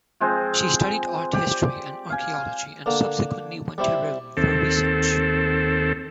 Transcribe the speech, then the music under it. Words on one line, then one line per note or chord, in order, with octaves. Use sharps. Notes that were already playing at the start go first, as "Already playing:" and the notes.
She studied art history and archaeology and subsequently went to Rome for research.
F3 G#3 C4 C5
G4 D5
F5 G#5
D3 A#3
G3 C4 E4
D#2 C4 A4